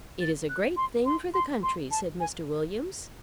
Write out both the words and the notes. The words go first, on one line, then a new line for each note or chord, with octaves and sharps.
"It is a great thing for the country," said Mr. Williams.
A6
F#6
C6
C6
C6
C6
A5
G#5